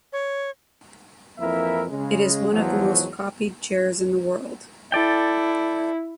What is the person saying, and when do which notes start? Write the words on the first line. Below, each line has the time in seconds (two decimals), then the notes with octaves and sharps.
It is one of the most copied chairs in the world.
0.13 C#5
1.39 F2 E3 A#3 E4 A#4 E5
1.89 C#3 G#3
2.52 E2 G#2 F3 F#3
4.92 E4 A4 D5 G5